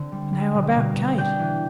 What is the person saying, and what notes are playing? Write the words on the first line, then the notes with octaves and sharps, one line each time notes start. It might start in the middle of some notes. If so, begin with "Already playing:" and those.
'And how about Kate?'
Already playing: D3 C4
G3
G3
B2
B2
B2
D4 G5 G6
E3